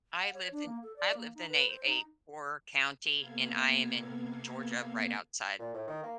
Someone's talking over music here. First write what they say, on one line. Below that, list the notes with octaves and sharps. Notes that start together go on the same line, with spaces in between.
I lived in I lived in a a poor county, and I am in Georgia right outside
F#5
C#5
D4
A#3
A4
D5
A#3
D#4
B4
C5
D#4
C3 A#3 B3 A4 F5 G#6
A#2
A2
D#3
A#3